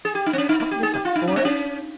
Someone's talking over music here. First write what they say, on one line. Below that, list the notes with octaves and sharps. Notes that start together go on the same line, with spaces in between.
Call this a forest?
G#4
G4
D#4
C4
C#4
D#4
D#4
G4
G#4
G4
F4
D#4
C#4
C4
C#4